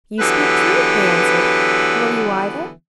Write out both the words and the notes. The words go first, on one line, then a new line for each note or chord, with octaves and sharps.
'You speak truth,' they answered, 'nor you either?'
D3 E3 F#3 B3 G4 B4